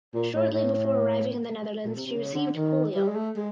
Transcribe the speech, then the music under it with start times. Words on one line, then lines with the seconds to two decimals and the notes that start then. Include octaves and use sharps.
Shortly before arriving in the Netherlands she received polio.
0.15 A#2
0.34 A2
0.54 A2
1.85 A#2
1.95 C3
2.06 C3
2.16 C#3
2.35 D3
2.56 D#3
2.95 G3
3.08 G#3
3.15 A3
3.36 G#3